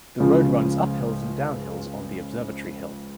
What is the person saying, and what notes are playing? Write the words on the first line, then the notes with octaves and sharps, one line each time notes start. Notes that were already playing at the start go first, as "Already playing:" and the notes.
The road runs uphills and downhills on the Observatory Hill.
C#2 C#3 F3